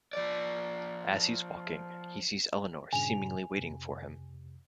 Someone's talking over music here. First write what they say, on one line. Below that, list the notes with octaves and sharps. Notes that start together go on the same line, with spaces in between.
As he's walking, he sees Eleanor seemingly waiting for him.
F3 D5
G2 A#2 C#3 G#5 F7
F2 C3